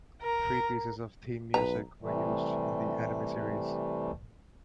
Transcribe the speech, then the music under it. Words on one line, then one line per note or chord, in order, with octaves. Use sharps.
Three pieces of theme music were used in the anime series.
A#4
B1 B4 A#5
C3 E3 G3 A3